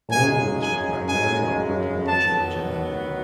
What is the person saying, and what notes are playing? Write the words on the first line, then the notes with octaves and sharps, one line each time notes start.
All routes would primarily operate along Georgia Avenue.
F#2 C#3 G#3 D#4 G#5
G#5
G#5
D#3 F#3 B3 A5